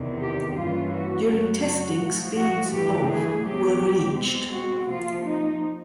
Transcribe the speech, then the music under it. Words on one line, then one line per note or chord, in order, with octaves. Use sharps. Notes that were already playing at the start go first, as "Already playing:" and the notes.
During testing speeds of were reached.
Already playing: E2 C3 D#3
G4
G2 E3 G3 A#3 C#4 F4
F#4
F#2 C#3 F#3 F#4
F#4
A2 F3 A3
F#4
G2 E3 A3 G4
G#4
E2 B2 F#3 G4
B2 G#3 C4
F#4
C3 F3 A#3 F4
D#4